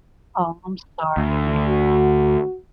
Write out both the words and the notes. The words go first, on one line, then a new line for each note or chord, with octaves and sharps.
Oh, I'm sorry.
D2
F#4